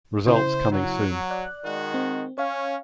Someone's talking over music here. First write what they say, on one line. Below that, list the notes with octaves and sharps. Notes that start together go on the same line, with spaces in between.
Results coming soon.
C#3 E4 C5
F#3
D5 F#6
D#3 G#3 F#4
C4
C#4 C#5 F5